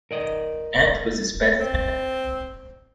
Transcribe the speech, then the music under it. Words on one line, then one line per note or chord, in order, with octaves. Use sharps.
Ant was his best man.
A#4 D5 D#5
C4